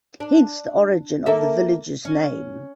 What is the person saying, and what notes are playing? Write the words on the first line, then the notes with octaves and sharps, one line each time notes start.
Hence, the origin of the village's name.
D4
A#3 A4 E5
C#4